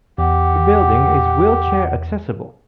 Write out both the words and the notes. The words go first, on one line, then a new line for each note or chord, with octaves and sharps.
The building is wheelchair accessible.
E2 G4 F#5